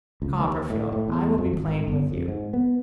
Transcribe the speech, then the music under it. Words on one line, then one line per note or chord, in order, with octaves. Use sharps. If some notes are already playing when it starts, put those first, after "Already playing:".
Copperfield, I will be plain with you.
C#2
D#2
A2
A2
E2
F2
G#1
G1
F2
G#2
B3